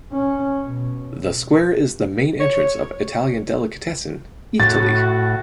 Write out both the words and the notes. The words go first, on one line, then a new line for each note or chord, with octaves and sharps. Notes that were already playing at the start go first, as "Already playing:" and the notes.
The square is the main entrance of Italian delicatessen Eataly.
C#4
B2
C#5
A2 F#4 A6